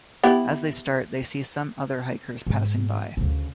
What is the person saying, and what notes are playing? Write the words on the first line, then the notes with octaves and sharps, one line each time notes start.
As they start, they see some other hikers passing by.
B3 E4 G4
G#2
D2 C#3